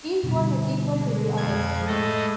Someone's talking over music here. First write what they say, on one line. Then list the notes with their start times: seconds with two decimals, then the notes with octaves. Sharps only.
Each one is equal to the others.
0.23 B2 D3 G3
0.98 G#3
1.37 F2 G#6
1.87 A2 G#3 A4 D#5